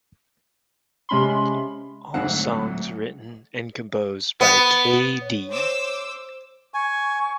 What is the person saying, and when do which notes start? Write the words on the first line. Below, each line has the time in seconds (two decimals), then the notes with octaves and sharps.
All songs written and composed by k.d.
1.09 C3 G#3 C#4 B5 C6
2.14 D2 G#2 F#3 A3 C4 F#5
4.41 B3
5.22 C#5
5.52 C5 D6 E6
6.74 G#5 C#6